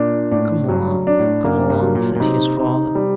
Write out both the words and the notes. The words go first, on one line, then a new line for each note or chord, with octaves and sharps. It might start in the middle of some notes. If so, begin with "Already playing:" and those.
"Come along, come along!" said his father.
Already playing: A#2 D4
A2 D4
G2 F#3
D4
A2
F#2 A#3
G2
F#3
A#2
A#2
C3 D#4
D#4
G3